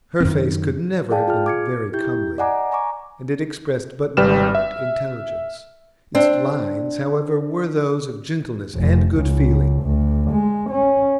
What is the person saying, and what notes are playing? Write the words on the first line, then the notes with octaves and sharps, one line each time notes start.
Her face could never have been very comely, and it expressed but moderate intelligence; its lines, however, were those of gentleness and good feeling.
F#2 D#3 C4
G#4 D5 F5 G5 A5
F4 G#4 F6
D6 G#6 C#7
E4 G4 G6
D5 D#5 F#5 G#5 A#5 D6
G#5 A#5 C#6 D6
G#1 G3 B4 G5 F6 E7
E5
C4 D4
F1
C#2
D2
G#3
C#4